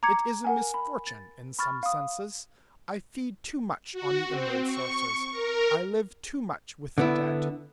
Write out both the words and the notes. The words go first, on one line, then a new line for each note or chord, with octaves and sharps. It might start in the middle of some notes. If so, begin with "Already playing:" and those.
It is a misfortune, in some senses: I feed too much on the inward sources; I live too much with the dead.
A#5 D6 G#6 C#7
A#4 F#5 G#5
B5
A6
B5 C#6 F6 A6
F5 D#6
F#4
C4
C#6
A#4
D3 B3 E4